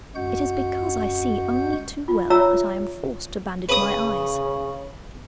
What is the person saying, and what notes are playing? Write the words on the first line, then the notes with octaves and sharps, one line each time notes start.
It is because I see only too well that I am forced to bandage my eyes.
F#2 G#3 F#4 F#5 G6
F4
F4 C#5 E5 A#5 E6
C#3 B4 D#6